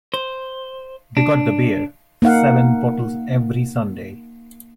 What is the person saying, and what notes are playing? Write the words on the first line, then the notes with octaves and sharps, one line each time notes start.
They got the beer - seven bottles every Sunday.
C5
D4
A#3 D#4 F5 F#5